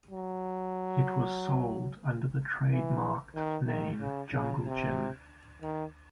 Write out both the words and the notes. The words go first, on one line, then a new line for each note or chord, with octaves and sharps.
It was sold under the trademarked name Junglegym.
F#3
E3
D#3
D#3
C#3
C#3
C3
D#3